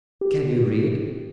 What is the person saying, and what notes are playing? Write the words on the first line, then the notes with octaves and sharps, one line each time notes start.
"Can you read?"
G4